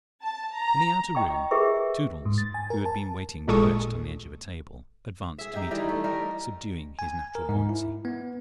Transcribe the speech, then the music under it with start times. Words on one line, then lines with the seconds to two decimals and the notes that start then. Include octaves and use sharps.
In the outer room Toodles, who had been waiting perched on the edge of a table, advanced to meet him, subduing his natural buoyancy.
0.22 A5
0.56 A#5
1.15 D#5 G5 A#5 C#6
1.51 G4 G#4 A#4 B4 E5 C#6
2.25 G#2
2.38 A6
2.54 G#5
2.70 A#4
2.85 A5
3.47 A1 A#2 G#3 A4 C#6 D#6
5.38 G#4 E5
5.53 D#4 G4 D#5 E5
5.71 D#3 E3 G3 D#4
5.89 A3
6.04 G3 D#4 A#4
6.99 G#5
7.35 A#4
7.49 G#2
7.69 E4
8.05 B3